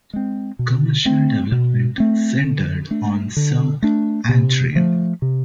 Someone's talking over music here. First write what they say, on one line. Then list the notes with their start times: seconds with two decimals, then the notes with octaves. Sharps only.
Commercial development centered on South Antrim.
0.13 G#3 C4
0.59 B2
1.05 A3 C4
1.52 B2
1.98 A3 C4
2.44 D3
2.91 A3 D4
3.37 D3
3.82 A3 D4
4.29 C3
4.75 F3 A3
5.22 C3